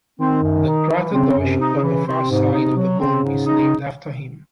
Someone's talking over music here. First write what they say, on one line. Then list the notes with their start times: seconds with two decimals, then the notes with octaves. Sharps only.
The crater Deutsch on the far side of the Moon is named after him.
0.20 D#3 C4
0.42 F#2
0.66 D#4
0.90 E3
1.12 C#3 C4
1.37 F#2
1.44 C3
1.60 D#4
1.76 C#3
1.83 E3
2.06 C3 C4
2.30 G#2
2.53 D#4
2.76 F#3
3.00 C#3 C4
3.23 G#2
3.46 D#4